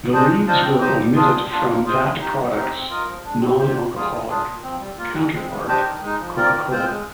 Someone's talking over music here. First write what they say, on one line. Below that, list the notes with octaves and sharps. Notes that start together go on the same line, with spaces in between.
The leaves were omitted from that product's non-alcoholic counterpart, Coca-Cola.
D4 G#4 C5 D#5
G#3
D4 F4 C5 D#5
C4
D#4 G4 C5 D#5
G3
D4 F4 G#4
G3
A#3 D4 F4
A#3
F4 G#4 C5 D#5
G#3
D#4 G4
G3
C4 D#4 G4
C4
F4 A#4 D#5
F3
G#3 D4
C4
G4 C5
C3
G3 A#3 F4 G#4
D3
G#3 D4 F4 G#4
A#2
F3 C4
G3
A#3 F4
D3
G#3 C4
G#3
D4 G4 C5 D#5
D#3
G#3 D#4
F3
C4 F4 A#4 D5
D#3
G#3 C4 F4 C5
G#3